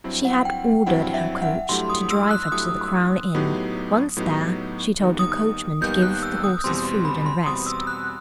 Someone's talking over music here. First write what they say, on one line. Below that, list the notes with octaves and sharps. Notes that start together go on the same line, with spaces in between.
She had ordered her coach to drive her to the "Crown" inn; once there, she told her coachman to give the horses food and rest.
G2 F#3 C4 E4
F#5
G5
G2 F#3 C4 E4 F#5
E5
F#5
G2 F#3 A3 E4 G4 C6
D#6
E6
F#6
G2 F#3 A3 E4 G4 D#6
A2 F#3 B3 D#4 G4
A2 F#3 B3 D#4 G4
D#2 D#3 G3 B3 D#4
D#6
D#2 D#3 G3 B3 D#4 G6
F#6
E6
D#6
E2 B2 G3 C4 C6
C6
B5
C6
E2 B2 G3 C4 D#6
E6
F#6